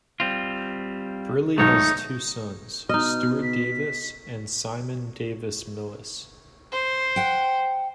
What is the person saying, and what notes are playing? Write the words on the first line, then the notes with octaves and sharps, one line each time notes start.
Briley has two sons, Stewart Davis and Simon Davis-Millis.
G3 C4 F4
B1 G#2 D#3 A3 D#4 C#5
B2 D#4 D#5 F6
B6
C5
F#5 G5